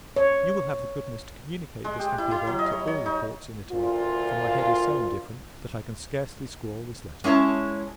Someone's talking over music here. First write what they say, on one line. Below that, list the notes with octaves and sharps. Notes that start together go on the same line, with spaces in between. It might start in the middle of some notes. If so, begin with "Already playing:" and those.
You will have the goodness to communicate this happy event to all the courts in Italy; for my head is so indifferent, that I can scarcely scrawl this letter.
C#5
G#3
G4
E4
E4
F#3
D#5
C#5
C#5
D#4
D2 A#2 F4
G#3 C#4 E4 C#5 A5